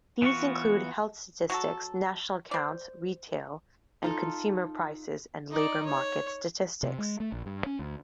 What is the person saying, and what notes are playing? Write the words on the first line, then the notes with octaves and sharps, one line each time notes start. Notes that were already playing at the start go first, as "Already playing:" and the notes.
These include health statistics, National Accounts, Retail and Consumer Prices and Labour Market Statistics.
E3 B3 F4 F#4 C#6
F#3 F#4 A4
C5 D5
D#4 F4 A4
D#4 D5
C#5
C3
G#3
A3
A#1
G2
C#4
D2